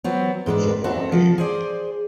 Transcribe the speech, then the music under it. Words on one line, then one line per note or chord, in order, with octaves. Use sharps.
It's a bargain!
F#3 B3 C4
G#2 G#3 D4 B4
C4 F#4 A4
F3
G#4 C5 D5